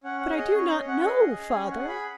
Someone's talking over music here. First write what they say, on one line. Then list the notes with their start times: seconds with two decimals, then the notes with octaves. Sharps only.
"But I do not know, Father!"
0.04 C#4 F#5
0.21 F#5
0.30 G#4
0.37 D#5
0.54 C#4 C#5
0.70 D#5
0.79 C#4
0.88 F#5
1.05 G#4 D#5
1.30 G#4
1.54 C#4 G#5
1.71 F#5
1.79 G#4
1.89 B5